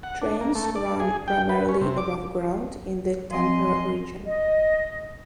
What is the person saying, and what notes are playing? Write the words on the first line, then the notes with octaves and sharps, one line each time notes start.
Trains run primarily above ground in the Tampere region.
F#5
D4
A#3
A3
D5
G#4
G5
B4
C#4
C3
D6
F3 C4 D#5 G#5 C6
D#5